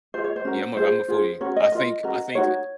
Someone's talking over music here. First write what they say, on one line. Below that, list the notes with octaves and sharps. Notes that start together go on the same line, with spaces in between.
yeah, I'm a ve I'm a foodie, I think, I think
F4 G#4 C5
C#5
C5
C#4 F#4 A#4
F4 G#4 C5
F4 G#4
C#4 F#4 A#4 C#5
D#5
F4 A#4 D#5
C#4 F#4 A#4
D#4 F#4 A#4 C#5